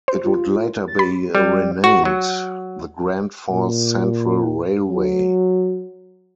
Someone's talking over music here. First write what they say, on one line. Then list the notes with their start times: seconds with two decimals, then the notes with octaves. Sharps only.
It would later be renamed the Grand Falls Central Railway.
0.08 C5
0.24 F4
0.88 A6
0.99 B5
1.35 G3
1.84 F#4
2.05 F#3
3.52 A#2
4.89 F#3